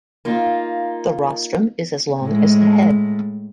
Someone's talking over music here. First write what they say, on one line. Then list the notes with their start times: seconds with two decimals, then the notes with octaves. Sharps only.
The rostrum is as long as the head.
0.25 A#3 D#4 F4
2.22 A2 G#3